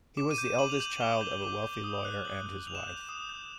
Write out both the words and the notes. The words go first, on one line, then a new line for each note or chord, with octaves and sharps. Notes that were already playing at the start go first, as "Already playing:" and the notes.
He was the eldest child of a wealthy lawyer and his wife.
D6 E7
D#7
G6
E7
D6 F#7
F7
G6 F#7
D6 G7
G6
D6
G6
D#6
F#6
D#6 F#7
F#6
D#6 F7
E7
G6 F7
D#6
G6